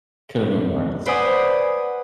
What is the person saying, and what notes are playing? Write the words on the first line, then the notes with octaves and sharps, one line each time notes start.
could have been worse.
B4 C5 D5 F#5 G#5 D#6